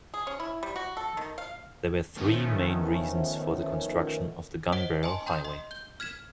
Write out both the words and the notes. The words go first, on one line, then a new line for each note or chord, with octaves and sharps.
There were three main reasons for the construction of the Gunbarrel Highway.
G#4
C#4
E4
G3
F#4
A4
D#3
F5
D#3 F3 A3 B3 C#4
C5 C#5 D#5 F#5 B6 D7
D#5 G#5 A5 C6
G5 A#5 C6 D#6 G6
D#5 C6
G6 G7
F6 G#6 B6 E7